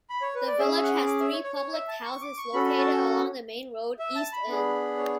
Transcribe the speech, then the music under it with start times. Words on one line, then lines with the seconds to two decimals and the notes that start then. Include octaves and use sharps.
The village has three public houses located along the main road, East End.
0.10 B5
0.22 C#5
0.35 B4
0.47 D5
0.59 C#4 G#4 E5
0.71 E5
0.83 F#5
0.96 D6
1.07 D6
1.20 E5
1.32 C#5
1.43 C#5
1.56 C#5
1.73 E5
1.88 A5
2.05 C#6
2.21 D6
2.37 C#6
2.53 C#4 F#4 A4 B5
2.66 B5
2.78 A5
3.99 E5
4.16 A5
4.32 B5
4.48 B3 D4 G#4
4.97 C#5